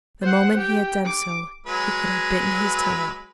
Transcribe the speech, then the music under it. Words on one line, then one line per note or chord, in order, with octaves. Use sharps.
The moment he had done so, he could have bitten his tongue out.
C5 F#5
G4 G5
D6
F#3 G#3 B4